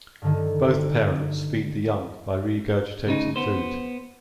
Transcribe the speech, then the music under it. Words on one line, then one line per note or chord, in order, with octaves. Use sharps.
Both parents feed the young by regurgitating food.
G2 D3 D#3
D2 C#3 D#4
B3 C5